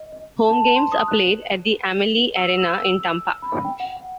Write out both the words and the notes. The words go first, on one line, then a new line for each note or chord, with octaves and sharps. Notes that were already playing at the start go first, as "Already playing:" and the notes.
Home games are played at the Amalie Arena in Tampa.
Already playing: D#5
D#5
A5
A5
C6
D#6
F#6
E6
E6
E6
E6
B5
G5
F#5
F#5